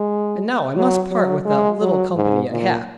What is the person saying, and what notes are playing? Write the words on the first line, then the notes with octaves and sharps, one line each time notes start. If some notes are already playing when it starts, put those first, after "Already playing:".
And now I must part with that little company I had.
Already playing: G#3
F#3
F#3
G#3
F#3
G#2
A#2